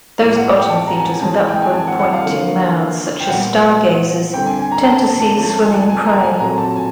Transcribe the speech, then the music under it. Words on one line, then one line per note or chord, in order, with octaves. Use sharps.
Those bottom feeders with upward-pointing mouths, such as stargazers, tend to seize swimming prey.
A2 F3 G#3 F5
F#5
G5
A5
A#5
G#5
A5
E3 G#3 C#4 A5
G#5
G5
G#5
A5
F#5
F#5
F5
D3 F3 A#3 C#4
G5
A#2 G3 B3 F#5
D3 G3 C4 G5
G#5
G#5
A#5
A5
A5
A5
C#3 F3 A3 C#4 A5
A5
G#5
A5
G#5
A#5
G#5
A#2 F#3 A3 C4 A#5
A5
G#5